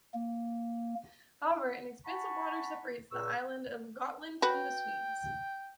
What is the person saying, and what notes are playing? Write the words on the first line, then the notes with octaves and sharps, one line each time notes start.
However, an expanse of water separates the island of Gotland from the Swedes.
A#3
F#5 G#5 A5 B5 C#6
C#2 A#2 A#5 C#6 E6
F#4 B4 G5